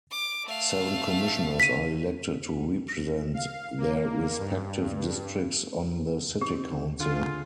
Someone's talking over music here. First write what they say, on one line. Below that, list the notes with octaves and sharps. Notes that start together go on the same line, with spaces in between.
Seven commissioners are elected to represent their respective districts on the city council.
D6
A3 F5
B6 D#7
F5
A#3
G2
C4 D#4 G4
D3 F4 G#4 F#5